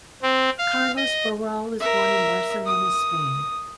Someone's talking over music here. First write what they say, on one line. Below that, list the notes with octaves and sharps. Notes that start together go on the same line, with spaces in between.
Carlos Barral was born in Barcelona, Spain.
C4
F5
D#5
A#4 E5
D#6